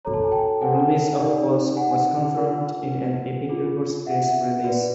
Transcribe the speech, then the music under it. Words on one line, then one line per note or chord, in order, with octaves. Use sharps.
The release of "Pose" was confirmed in an Epic Records press release.
D4 F#4 A4 C#5 A#5
A5
G#5
G5 A5
F#5 G#5
D#4 G4 A#4 D5
F#5 G#5
D4 F4 A#4
D4 F4 G#4
E5 F#5
F#4 B4 D5